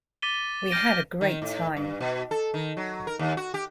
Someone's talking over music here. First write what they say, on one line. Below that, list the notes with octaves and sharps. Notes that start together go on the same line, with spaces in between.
We had a great time.
D6 A6 B6 D#7 G7
F6 G6 A#6 D7 D#7
D#3
A2
G2
B2
A4
D#3
F#3
A#4
D#2
F#4
G4